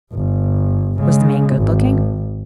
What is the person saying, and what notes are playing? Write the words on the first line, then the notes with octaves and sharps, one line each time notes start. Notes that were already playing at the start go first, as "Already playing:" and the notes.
"Was the man good-looking?"
G1
C#3 G#3
G#1